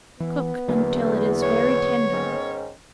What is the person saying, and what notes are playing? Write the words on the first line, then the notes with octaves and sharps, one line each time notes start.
Cook until it is very tender.
E3 B3
E2 D3 F#3 A#3
C#5
G#2 D#3 C#4